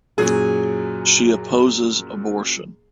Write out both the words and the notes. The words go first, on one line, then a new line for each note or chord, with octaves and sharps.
She opposes abortion.
F#2 A#2 F#3 G#4